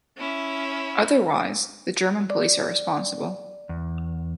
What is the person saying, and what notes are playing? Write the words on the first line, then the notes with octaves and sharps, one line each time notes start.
Otherwise, the German police are responsible.
C#4 E4 E5
D5
E2